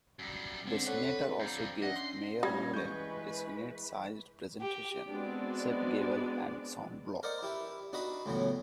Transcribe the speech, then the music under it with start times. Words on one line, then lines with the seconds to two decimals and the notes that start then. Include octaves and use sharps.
The Senator also gave Mayor Nolen a Senate-sized presentation set gavel and sound block.
0.19 F#2 G3
0.67 D3 G#3 C4 D4
0.87 A4 B4 C#5 F#5
1.40 F2 G3 A#5 G6
1.82 C#4 D4 D#5 E5 F#5
1.96 C6
2.43 G2 G3 C#4 G#6 A#6
2.74 E3 G#3 B4 C#6 G6
4.61 G4
5.07 G#3 B3 C4 D4 F#4 D5
7.23 A#4 C5 D5 D#5 F#5
7.43 E4 G4 B4
7.93 D4 D#4 F#4 B4 D#5 B5
8.26 C#2 A2 E3 F#3 B3